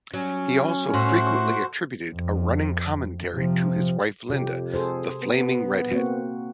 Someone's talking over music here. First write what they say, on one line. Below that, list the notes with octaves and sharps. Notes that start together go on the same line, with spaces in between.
He also frequently attributed a running commentary to his wife Linda, "the Flaming Redhead".
F#3 C#4
A2 F#4 C5
F2
C3 F3
F2 C3 G4
G#4 A4 C5
B3
A#3 C4 F#4